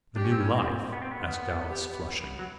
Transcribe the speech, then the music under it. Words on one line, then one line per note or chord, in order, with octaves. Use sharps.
"The new life?" asked Alice, flushing.
D4 G4
C#4
C4
C#4
C4
B3
C4
B3
G4
F#3